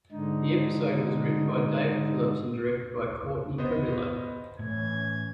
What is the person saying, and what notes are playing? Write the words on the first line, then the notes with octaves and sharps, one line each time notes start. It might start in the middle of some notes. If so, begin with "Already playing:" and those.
The episode was written by David Phillips and directed by Cortney Carrillo.
G#2 D3 D#4
B3 C5 D#5
A2 E3 C#4 G#6